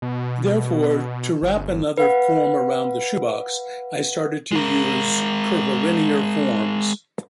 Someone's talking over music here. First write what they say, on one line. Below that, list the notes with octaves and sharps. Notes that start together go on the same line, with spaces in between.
Therefore, to wrap another form around the shoebox, I started to use curvilinear forms...
B2
G1
B4 F5 F#5
G#3 A#4